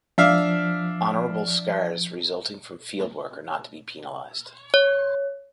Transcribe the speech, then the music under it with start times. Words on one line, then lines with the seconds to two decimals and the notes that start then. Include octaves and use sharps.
Honorable scars resulting from field work are not to be penalized.
0.18 F3 D4 E5 F5
4.74 C#5